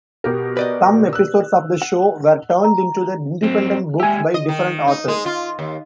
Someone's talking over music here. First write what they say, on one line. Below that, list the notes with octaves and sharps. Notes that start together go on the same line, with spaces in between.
Some episodes of the show were turned into the independent books by different authors.
B2 G4 A#4
B4 D5 D#5
E6 F#6
F#5
A#5
F#3 C4
G#3 G4 E5 G#5
D#5
D#3
D#4
G#3
F4
D#2